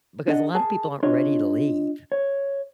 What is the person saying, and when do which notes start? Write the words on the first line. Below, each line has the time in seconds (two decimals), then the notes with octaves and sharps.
because a lot of people aren't ready to leave,
0.28 D4 G#4 D5 D#5 F#5
0.55 G#4 A#4 A5
1.03 D4 F4 C#5 D#5
2.12 C#5